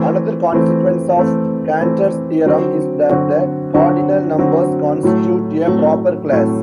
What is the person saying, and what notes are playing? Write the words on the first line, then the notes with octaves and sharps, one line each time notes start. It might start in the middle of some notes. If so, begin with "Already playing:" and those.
Another consequence of Cantor's theorem is that the cardinal numbers constitute a proper class.
Already playing: E3 A3 C4
E3 A3 C4
E3 A3 C4
E3 A3 C4
D3 F#3 C4 F#4
D3 F#3 C4 F#4
D3 F#3 C4 F#4
D3 F#3 C4 F#4
A2 F#3 A3
A2 F#3 A3
A2 F#3 A3